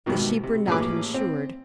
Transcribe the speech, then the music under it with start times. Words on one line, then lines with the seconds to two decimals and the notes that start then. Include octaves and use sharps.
The sheep were not insured.
0.06 C2 G#2 B2 D#3
0.43 C3
0.67 A1 A#2 C#4 G#4 B4 D6
1.14 C4